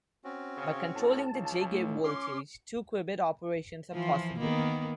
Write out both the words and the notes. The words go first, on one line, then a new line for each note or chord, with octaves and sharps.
By controlling the J gate voltage, two-qubit operations are possible.
C4 C#4 F#4
C#3
A2 A5
C#2
A2 A3
C#4 C6 D6
E3 F3 F4
D#3 A#3 B3